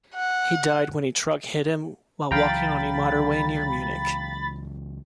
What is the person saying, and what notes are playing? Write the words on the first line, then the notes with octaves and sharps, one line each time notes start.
He died when a truck hit him while walking on a motorway near Munich.
F#5
C#2 E3 F#3 F5 G5 A#5 B5 A6